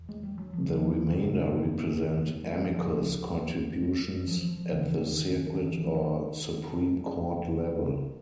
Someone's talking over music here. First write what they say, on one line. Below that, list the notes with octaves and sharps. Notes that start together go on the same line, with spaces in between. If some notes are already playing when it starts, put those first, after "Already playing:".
The remainder represent "amicus" contributions at the circuit or Supreme Court level.
Already playing: E2
G#3
G3
F#3
F3
F3
F#2 C#3
G3
F#3
F#3
F3
F#3
D2 D3 F3
F#3
F3
F3
F3
D#2 C#3 E3
E3
D#3
D#3
D3
D#3
E3
F3
D#3